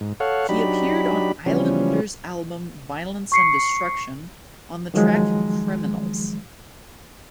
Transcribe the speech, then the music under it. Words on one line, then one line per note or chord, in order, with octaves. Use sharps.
He appeared on Islander's album, "Violence and Destruction" on the track, "Criminals".
G#2
A4 C#5 F5 F#5
F#3 D4 D#4 G4 B5
C#3 E3 F3 G3 C#4
C#6 C7 C#7
D#3 F3 F#3 G#3